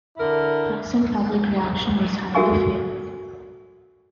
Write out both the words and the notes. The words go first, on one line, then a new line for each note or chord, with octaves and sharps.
Press and public reaction was highly favourable.
D3 E4 A#4
F#4 A4 A#4 E5 G#5 C#6